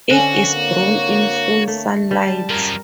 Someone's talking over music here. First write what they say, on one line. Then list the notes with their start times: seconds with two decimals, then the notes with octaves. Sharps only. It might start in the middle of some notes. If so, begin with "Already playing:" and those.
It is grown in full sunlight.
0.10 D3 C4 C#4 F#4 G#5
0.53 A#3 C#5
1.68 A3
2.11 G3 A5
2.50 F#2 F3 A#4